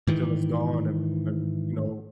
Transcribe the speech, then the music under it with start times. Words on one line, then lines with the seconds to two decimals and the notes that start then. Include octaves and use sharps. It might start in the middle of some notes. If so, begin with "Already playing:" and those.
until it's gone and and, you know,
0.07 G#2 D#3 E3